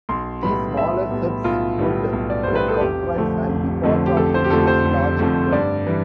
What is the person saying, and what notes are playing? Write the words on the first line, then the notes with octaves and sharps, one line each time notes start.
These smaller septs would then comprise, and be part of, the chief's larger clan.
B1 C6
A2 G3 B3 B5
B1 E5
A2 G3 B3
B1 F4
A2 G3 B3
B1
D5
A2 G3 B3 C5
B4
A4
F1 G4
F2 D3 F3 A3
F1
F2 D3 F3 A3
G4
F1 A4
C5
G4
F2 D3 F3 A3 A4
C5
F1
F2 D3 F3 A3
G2 D5
E3 G3